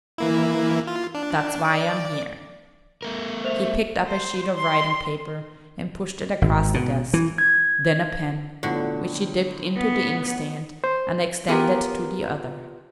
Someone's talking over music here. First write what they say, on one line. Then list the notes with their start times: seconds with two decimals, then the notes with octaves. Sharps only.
"That's why I'm here." He picked up a sheet of writing paper and pushed it across the desk--then a pen, which he dipped into the inkstand, and extended to the other.
0.18 E3 A#3 E4
0.87 F4
1.14 D4
1.64 D5
3.02 A3 A#4
3.44 C5 E5 F7
4.06 C5
4.56 C6
6.42 G#1
6.74 B2
7.14 E3
7.38 G#6
8.63 A1 B2 D3 F3 F#4
9.76 B3
10.84 C5
11.48 B3 F4 G4 G#4 A#4